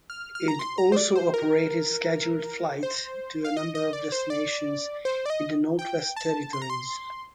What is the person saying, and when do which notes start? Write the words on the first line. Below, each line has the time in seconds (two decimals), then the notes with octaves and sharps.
It also operated scheduled flights to a number of destinations in the Northwest Territories.
0.10 F6
0.35 F6
0.48 A#5
0.59 C6
0.78 A#5
0.92 C5
0.97 D5
1.16 C5
1.34 A#4
2.83 C5
3.45 F5
3.57 D#5
3.75 D#5
3.93 D5
4.12 C5
4.30 D5
5.05 C5
5.26 D5
5.30 D#5
5.79 G5
6.16 A5
6.53 C6
6.62 A#5
6.70 C6